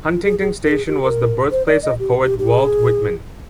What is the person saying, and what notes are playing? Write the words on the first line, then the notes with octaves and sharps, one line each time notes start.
Huntington Station was the birthplace of poet Walt Whitman.
F4
G#4
G#4
A#4
G#4
G4
A#4
C5
D5
D#5
G4
G4
G4
G#4